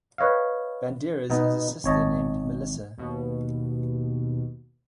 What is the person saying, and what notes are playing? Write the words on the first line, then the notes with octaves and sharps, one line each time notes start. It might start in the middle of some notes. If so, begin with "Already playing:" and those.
Banderas has a sister named Melissa.
B4 C#5 D#5 F5
B2 B3 D#4
G#1 C#5 D#5 A5
D#2 B2